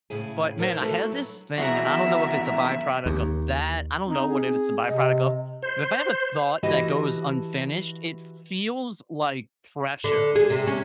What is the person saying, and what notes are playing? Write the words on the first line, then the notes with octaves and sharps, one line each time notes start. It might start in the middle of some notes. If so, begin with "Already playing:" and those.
but man, I had this thing and I don't know if it's a byproduct of that. I don't know what it's a byproduct of, but if I had a thought that goes unfinished, it feels like pressure
A2 C#3 E4 G#4
A#3 B3 D#4 A4 A#4 C5
A3 D4 E4 F#4 A4 B4
F#3
F#2 E3 B3 F#4 G#4 E5 A#5
D#2
C4 D#4
G#4
C3 D#5
C5
E3 F#4 G4 B4 D#5 A5
D3
G#4
C3
C#4